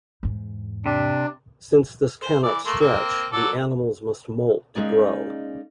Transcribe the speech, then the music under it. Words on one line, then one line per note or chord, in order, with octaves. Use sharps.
Since this cannot stretch, the animals must molt to grow.
E2 G#2
C3 D4
C5
E3 D5
A3 A#3 C6
A#3 C4
F#3 A4 D5
G#3 A#3 C#4 D#4 G#4 D5